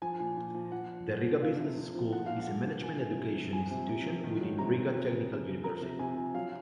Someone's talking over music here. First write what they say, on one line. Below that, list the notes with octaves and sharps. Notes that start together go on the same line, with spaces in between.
The Riga Business School is a management-education institution within Riga Technical University.
F3 G#5
A#2
A#2
F3
F3 F#5
A#2
A#2
F3
F3 F5
C3
C3
F3
F3 F#5
A#2 F5
F#5
A#2
F3
F3 G#5
C3
C3
F3
F3 G#5
C3
C3
F3
D#3
F#3
C3 A#5
C3
F3
C#3
C#3
F3
F3 A#5
C3
C3 G#5
F3
F#3 F5